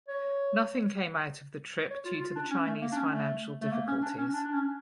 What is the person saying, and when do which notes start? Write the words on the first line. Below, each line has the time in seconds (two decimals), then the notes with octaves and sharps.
Nothing came out of the trip due to the Chinese financial difficulties.
0.08 C#5
1.90 C#5
2.05 F4
2.21 F4
2.36 D4
2.51 C#4
2.66 A3
2.82 A#3
2.92 D4
2.96 C#4
3.12 A3
3.62 A3
3.72 A#3
3.88 C#4
4.03 D4
4.18 C#4
4.33 D4
4.44 D4
4.53 C#4